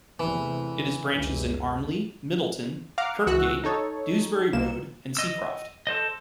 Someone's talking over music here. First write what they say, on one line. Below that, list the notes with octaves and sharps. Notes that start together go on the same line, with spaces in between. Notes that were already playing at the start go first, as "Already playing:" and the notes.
It has branches in Armley, Middleton, Kirkgate, Dewsbury Road and Seacroft.
E2 C3 E3 A3
F#1 C#2
F5 F#5 A#5 D6 F6
C#2 E3 F#4 E6 F#6
D#4 A4 C#5
C2 A#3 E7
D#5 E6
A4 C5 D#5